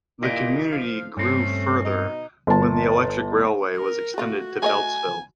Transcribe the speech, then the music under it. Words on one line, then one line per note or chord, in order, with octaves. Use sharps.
The community grew further when an electric railway was extended to Beltsville.
A#2 E4 G4 D#5
F3 F5
G2 A3 C4 C#4
B2 D#4
G1 A5
A#4
A3 F4 F#4
A3 C#5 D#5 G#5